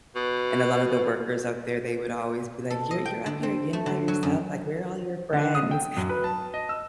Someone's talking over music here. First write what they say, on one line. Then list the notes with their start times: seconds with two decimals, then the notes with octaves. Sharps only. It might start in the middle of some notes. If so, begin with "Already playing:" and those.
and a lotta the workers out there, they would always be like, "You're you're up here again by yourself?" Like, "Where are all your friends?"
0.15 B2
2.70 A4
2.91 D#5
3.05 G5
3.26 D3
3.43 C4
3.73 A3
3.86 D3
4.08 F#3
4.23 F#2
5.33 D3
5.55 D#6
5.71 G5
5.97 F#2
6.09 B4
6.24 A5
6.54 D#5
6.69 E6